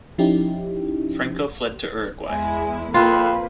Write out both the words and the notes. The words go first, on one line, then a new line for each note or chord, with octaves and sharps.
Franco fled to Uruguay.
F3 C#4 D#4 E4 G4
E2 G#3 E4 G#5
F2 A#3 C4 F4 B4 B5